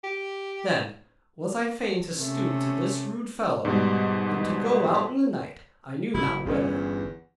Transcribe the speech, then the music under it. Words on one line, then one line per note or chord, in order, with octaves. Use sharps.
Then was I fain to stoop to this rude fellow, and to go out in the night, I knew not whither.
G4
C3 A3 C#4
G#2 B2 G3
F#1 E4
G1 E2 G2 C#4